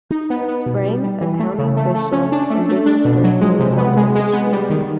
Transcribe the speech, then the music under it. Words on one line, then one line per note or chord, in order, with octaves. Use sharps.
Sprang, a county official and businessperson in the lumber industry.
D#4
B3
B3
B2
G3
G3
E3
A3
C#3
A3
A3
C#4
D4
A3
A3
D4
B2
F#3
G#3
C3
B3
G#3
G#3
B3
G3
D#3